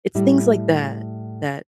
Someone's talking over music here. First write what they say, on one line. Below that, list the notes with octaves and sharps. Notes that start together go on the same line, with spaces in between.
It's things like that that
A2 G3 E4